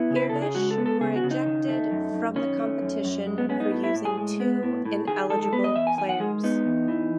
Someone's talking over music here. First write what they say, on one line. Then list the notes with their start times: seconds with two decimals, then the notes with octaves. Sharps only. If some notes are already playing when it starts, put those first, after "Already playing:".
Irtysh were ejected from the competition for using two ineligible players.
Already playing: B3 E4
0.10 C#3
0.16 B4
0.29 C#3 A4
0.42 G#4
0.55 G#3 F#4
0.71 A4
0.78 B3
0.86 A4
1.01 C#3 G#4
1.16 F#4
1.24 C#3
1.31 D#4
1.46 D#3
1.69 A3
1.91 F#2
2.13 F#2
2.36 D#3 C#4
2.59 A3
2.82 F#2
3.05 F#2
3.27 G#3
3.38 B3
3.49 B3 C#4
3.60 D#4
3.71 A2
3.84 E4
3.94 A2
4.05 G#4
4.18 G#3
4.40 B3
4.63 A2
4.85 A2
5.08 D#3 G#4
5.30 G#3 A4
5.43 A4
5.53 B3 B4
5.64 D#5
5.75 E2 E5
5.87 G#5
5.98 D#3 G#5
6.09 F#5
6.20 G#3 G#4
6.44 B3 D#4
6.66 E2
6.88 E3